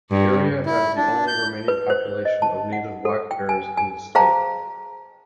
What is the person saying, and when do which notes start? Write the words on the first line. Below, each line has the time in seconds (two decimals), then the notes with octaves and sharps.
The area has the only remaining population of native black bears in the state.
0.11 G2
0.66 E4
0.96 D4
1.28 G6
1.68 B4
1.90 C5
2.25 D#5
2.42 A5
2.73 F#5
3.05 A4
3.31 G5
3.49 G#5
3.77 G#5
4.15 G#4 C5 F5 G5 A5 A#5